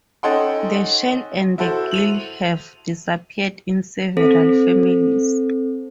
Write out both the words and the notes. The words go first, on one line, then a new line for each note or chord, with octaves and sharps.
The shell and the gill have disappeared in several families.
C#4 D#4 A4 F#5 G5 C6
E4 F#4 A4 C5
D#7 F7 F#7
C4 A4 C5